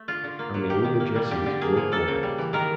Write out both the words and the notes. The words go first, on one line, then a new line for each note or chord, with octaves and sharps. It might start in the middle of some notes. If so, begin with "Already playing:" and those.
Only all the dresses were white.
Already playing: A3
D3 F4
D3
A#3
F#3
D#3 G4
D#3
A#3
G3
D3 G4
D3
A#3 G#4
F3
A#3 A4
C#3
G3
E3
D#3 A#4